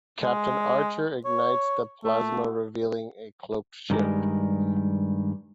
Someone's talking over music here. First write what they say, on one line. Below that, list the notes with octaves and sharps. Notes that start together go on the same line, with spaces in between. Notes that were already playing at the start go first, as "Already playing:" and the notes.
Captain Archer ignites the plasma, revealing a cloaked ship.
G#3
C#5
A3
G2 D3 D#3 G3 G#3 A#4